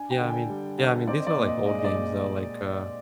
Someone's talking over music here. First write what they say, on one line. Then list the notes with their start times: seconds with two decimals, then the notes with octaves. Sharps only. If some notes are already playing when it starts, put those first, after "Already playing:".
Yeah, I mean yeah, I mean, these are, like, old games, though. Like, uh,
Already playing: D4 G#5
0.10 G5
0.20 D3
0.30 G#5
0.49 G3
0.78 D3
1.07 C4 D5
1.20 D#5
1.27 D5
1.37 A#2
1.46 D#5
1.66 G#3 D#5
1.79 D#5
1.85 D5
1.94 A#2